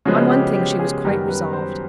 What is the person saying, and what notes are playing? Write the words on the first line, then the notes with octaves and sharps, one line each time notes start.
On one thing she was quite resolved.
C#3 F3 G#3 B3 F#4
G4
G4
G#4
F#2 D#3 G3 B3 A#4
B4
C5